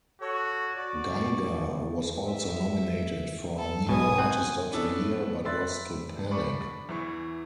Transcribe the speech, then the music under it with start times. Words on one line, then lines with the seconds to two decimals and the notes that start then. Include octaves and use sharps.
Geiger was also nominated for "New Artist of the Year" but lost to Panic!
0.21 F#4 A4 C#5
0.77 F#4 D5
2.28 E5
3.58 A4
3.89 B1 B2 G#5 D#6
4.18 C4 F#5
4.71 B3 C#4 D4 E4 A4
5.45 D5 E5 B5 C6 F#6 A6
6.31 D4 D5 B5 C#6
6.89 E2 E3 C#6